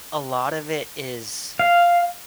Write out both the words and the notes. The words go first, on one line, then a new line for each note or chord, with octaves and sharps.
a lot of it is
F5